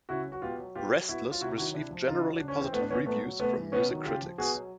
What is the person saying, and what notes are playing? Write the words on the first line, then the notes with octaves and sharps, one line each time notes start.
Restless received generally positive reviews from music critics.
C#3 E4 F#4
F#3
F#4
B2 F4 G4
F#3
B2 F4 G4
F#3
B2 E4 F#4
F#3
F4
C3 E4 F#4
D#3 F#3 E4 F#4
C3 D4 E4
F3
C#3 D#4 F4
F#3
C#3 D4
C#4
E3 C4
A2 A3 B3
D4
E3 B3 C#4
A#2 A3 B3
F#3
C3 A3 B3
E3
C3 B3 C#4
D#3 F#3
C#3 F4 G4
F3
B2 F#4 G#4
F#3